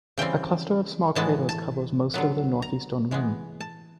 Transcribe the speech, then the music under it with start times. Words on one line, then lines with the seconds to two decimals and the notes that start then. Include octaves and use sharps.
A cluster of small craters covers most of the northeastern rim.
0.18 C#3 E3 G3 C4 G5
1.15 A2 E3 G#3 B3 A5
1.49 A5
2.14 D3 F#3 B3
2.62 A#5
3.11 E3 G#3 B3
3.60 A5